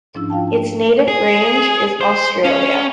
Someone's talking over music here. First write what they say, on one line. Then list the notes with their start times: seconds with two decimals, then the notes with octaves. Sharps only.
Its native range is Australia.
0.15 G#2 F3 C#4 D4 E4 E6
0.30 F4 F5 G5 A5
0.47 A5
0.63 A3
1.08 G#4
2.01 C5
2.45 C#4